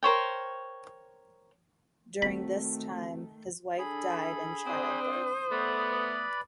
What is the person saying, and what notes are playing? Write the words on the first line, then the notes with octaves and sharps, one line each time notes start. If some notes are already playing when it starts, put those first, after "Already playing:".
During this time his wife died in child birth.
A#4 C5 C#5 G5
D#3 A3 C4 F#4 B5
D4 G#4 A4 B5
C4 D4 C5 D#6
A3 B3 B4 D5 B5